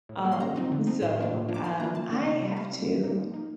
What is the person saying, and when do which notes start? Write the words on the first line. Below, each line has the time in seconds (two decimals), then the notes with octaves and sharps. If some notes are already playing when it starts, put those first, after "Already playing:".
um, so um, I have to
0.09 A2
0.25 G3 A#3
0.32 C6
0.40 D3 A#5
0.56 F3 C4 D#4
0.72 D3
0.87 F3 C4 D#4
1.02 A2 C6
1.18 F3 A#3 D4 F4
1.33 A2
1.48 F3 A#3 D4 F4
1.54 D6
1.64 D#3 C6
1.80 A#3 D4 F4 A#5
1.95 D#3 A5
2.10 A#3 D4 F4
2.26 C3
2.41 G3 C4
2.56 C3 F5
2.72 G3 C4
2.88 F3
3.04 A#3 D#4
3.19 F3
3.34 A#3 D#4